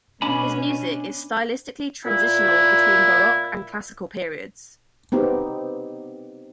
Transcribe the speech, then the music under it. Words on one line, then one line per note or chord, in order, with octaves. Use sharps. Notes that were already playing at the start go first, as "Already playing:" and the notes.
His music is stylistically transitional between Baroque and Classical periods.
B2 C#4 D4 G#5 B5
A#2 E4
B3 C4 D#4 G4